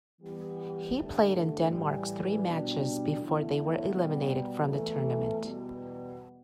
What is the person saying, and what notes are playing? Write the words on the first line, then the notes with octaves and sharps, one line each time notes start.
He played in Denmark's three matches, before they were eliminated from the tournament.
E3 G3 B3 G4
G2 D3 A3
A2 E3 G3
B2 G3 D4
E2 D3 A3 E4
B2 G3 B3
E2 E3 A3
E2 B2 G3 B3